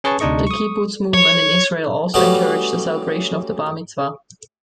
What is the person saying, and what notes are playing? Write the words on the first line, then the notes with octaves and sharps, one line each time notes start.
The kibbutz movement in Israel also encouraged the celebration of the bar mitzvah.
C#4 G#4 B4 C#5 A5 C#6
D2 C3 D4 D#4 D#5 C#6
C#6 D#6
C#5
E3 G3 A3 C#4 F#4 G#4